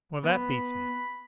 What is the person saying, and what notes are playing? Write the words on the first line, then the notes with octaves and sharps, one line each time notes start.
Well, that beats me.
B3 B5